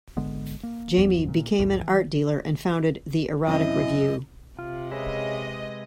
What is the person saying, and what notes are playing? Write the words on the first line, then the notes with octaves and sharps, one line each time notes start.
Jamie became an art dealer and founded the "Erotic Review".
G#1 D3 G#3 B3
A#3
G1 E2 F3 B3
A#2
B1 E2 A2
E3
F#2 C3 E4 D#5
C3 F4
C#3 G#3 B4 D#5 E5